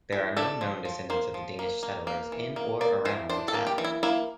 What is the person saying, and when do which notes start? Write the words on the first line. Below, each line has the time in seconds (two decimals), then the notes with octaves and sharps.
There are no known descendants of the Danish settlers in or around the town.
0.12 E3
0.37 D4 A4
0.61 F3
0.85 F3
1.10 A#3 C5
1.34 F3
1.59 A#3
1.83 A#3
2.07 A#3
2.32 E3
2.56 A#3
2.81 A#3 D5
3.05 E3 C5
3.30 D4 C5
3.48 A4
3.54 A#3
3.67 G4
3.78 E3
3.84 E4
4.03 A#3 E4